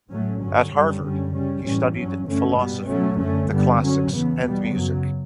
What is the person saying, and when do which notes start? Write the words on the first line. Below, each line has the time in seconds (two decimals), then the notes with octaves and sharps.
At Harvard, he studied philosophy, the classics, and music.
0.09 A2 F#3 A3 C#4
0.41 G2 D3 F#3 C#4
0.72 F#2 D3 G3 C#4
1.02 F#2 D3 G3 C#4
1.33 C#3 G3 C#4
1.64 A2 E3 G3 C#4
1.95 G2 F#3 C#4
2.26 G2 D3 A3 C#4
2.57 B2 G3 B3
2.87 B2 F#3 A3 C#4
3.18 F#2 D3 A3 C#4
3.49 G2 D3 G3 B3
3.80 F#2 D3 F#3 C#4
4.11 E2 C#3 E3 B3
4.41 B2 G3 B3
4.72 F#2 C#3 F#3